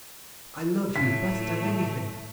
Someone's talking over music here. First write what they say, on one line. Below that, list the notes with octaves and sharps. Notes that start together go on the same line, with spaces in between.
I love you better than anything.
A2 A3 B6